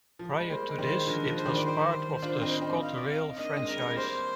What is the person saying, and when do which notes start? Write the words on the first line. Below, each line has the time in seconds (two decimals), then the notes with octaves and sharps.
Prior to this it was part of the ScotRail franchise.
0.19 F3
0.29 G3
0.40 G#3
0.50 G3 A#3 C5
0.69 G#3
0.78 D#3 G3 C5
1.07 D3 F3 A#4
1.27 D3 F3
1.36 C5
1.46 D#3 G3
1.55 D5
1.64 C5
2.22 D4 F4
2.41 C4 D#4
2.62 C4 D#4
2.81 F5
2.95 D5
3.09 F5
3.29 D#4
3.38 A#3 D4 D#5
3.57 G#3 C4
3.67 A#4
3.77 G3 A#3
3.96 G3 A#3 C5